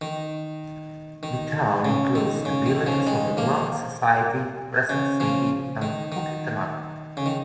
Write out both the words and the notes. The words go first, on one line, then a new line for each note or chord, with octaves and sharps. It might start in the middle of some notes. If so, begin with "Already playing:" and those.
The town includes the villages of Long Society, Preston City, and Poquetanuck.
D#3
D#3
C#3
D#3
C#3
D#3
C#3 F3
D#3 G#3
F3 A#3
C#3
C#3 F3
D#3
D#3
C#3
D#3